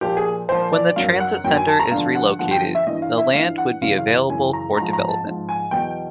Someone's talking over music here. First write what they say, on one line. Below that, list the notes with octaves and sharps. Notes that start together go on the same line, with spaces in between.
When the transit center is relocated, the land would be available for development.
A#2 F3 G4
G#4
A#2 F3 C5
D5
F#2 D#3 F#3 F5
F#5
F#2 D#3 F#3 G5
G#5
A5
A#5
G2 D3 F3 F5
F#5
G2 D3 F3 F#5
G5
E5
G2 E3 D#5
F5
E5
G2 E3 F5
F#5
F#2 C#3 E3 F5
F5
F#2 C#3 E3 G#5
A#5
G#2 F3 A#5
A#5
A5
G#2 F3
G#5
E2 B2 F#3 G5